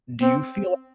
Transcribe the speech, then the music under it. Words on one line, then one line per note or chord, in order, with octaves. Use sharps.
do you feel
C4